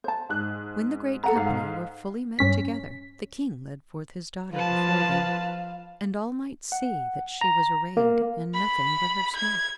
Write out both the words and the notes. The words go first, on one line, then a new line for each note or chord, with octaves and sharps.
When the great company were fully met together, the King led forth his daughter before them; and all might see that she was arrayed in nothing but her smock.
C5 A5
G#2 F#6
A4 F#5 A#5
G#2 F5
G2 C#4 B6
F3 B4 F5 A5
F#5
A#5
A#3
B5
G#6